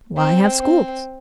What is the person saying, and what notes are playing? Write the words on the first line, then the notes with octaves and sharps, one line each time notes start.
"Why have schools?"
C4
C4